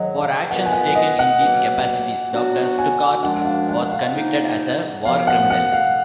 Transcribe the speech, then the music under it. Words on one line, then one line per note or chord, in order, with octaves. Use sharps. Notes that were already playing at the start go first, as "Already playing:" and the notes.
For actions taken in these capacities, Doctor Stuckart was convicted as a war criminal.
Already playing: G#2 D#3 F#3 D#5 F#5
F5
D#3 F#3 B3 F4 B4 F#5
G#5
F#5
D#5
F#5
B2 F#3 A#3
F#3 B3 D4 F#4
G#5
F#2 F3 G#3 D4 F#5
F5
F#5
F5
F3 A#3 D#4
F#2 F3 B3 F5
F#5
F#5
F5